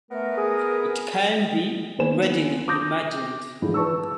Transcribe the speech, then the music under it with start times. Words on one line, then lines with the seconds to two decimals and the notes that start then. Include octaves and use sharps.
It can be readily imagined.
0.11 A3 B3 A#4
0.37 G#4
1.98 D#2 D#3 B3 C5 G#5 E7
2.68 D6 D#6 G6 A#6
3.62 G#2 D3 E3 F3 D4 E4
3.74 B4 A5 C#6 E6